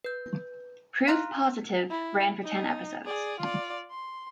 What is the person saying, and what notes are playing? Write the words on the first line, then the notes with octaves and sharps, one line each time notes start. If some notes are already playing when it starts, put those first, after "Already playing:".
"Proof Positive" ran for ten episodes.
B4 G6
F5 A#5 C6 F6 F#6
E4
D#4
G#4 D5
F4 D5
C6